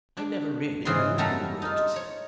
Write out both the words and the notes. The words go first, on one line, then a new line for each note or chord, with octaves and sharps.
"I never really knew who wrote it."
D4
G#2 C#3 E3 G#4 D5 C6
F#2 G3 A3 A4 A5 A#5
D#4 F4
C#5